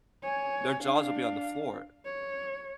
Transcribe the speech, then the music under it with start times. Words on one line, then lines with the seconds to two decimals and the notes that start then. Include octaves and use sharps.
their jaws will be on the floor.
0.22 C#5 G#5
0.83 D4 F5
2.05 C#5